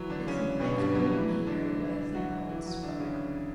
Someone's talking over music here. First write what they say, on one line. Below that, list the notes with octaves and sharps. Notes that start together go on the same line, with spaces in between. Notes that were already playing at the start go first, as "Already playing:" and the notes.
His micrometer was an old spoke.
Already playing: E3 F#3
D3 D4
C#3 C#4
B2 B3
G2 G3
F#3
E3
F#3
D3 D4
E3 E4
F#3 F#4
E3 E4
F#3 F#4
D3 D4
C#3 C#4